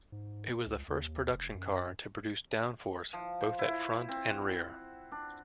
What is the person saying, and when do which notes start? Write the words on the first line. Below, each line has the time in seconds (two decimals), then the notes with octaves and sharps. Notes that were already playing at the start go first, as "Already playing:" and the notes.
It was the first production car to produce downforce both at front and rear.
0.12 G#2
0.66 C#2
0.88 D#2
1.31 F1
1.55 F#2
3.13 F3
3.41 C5
3.59 E4
4.08 C4
4.30 F#5
5.12 D4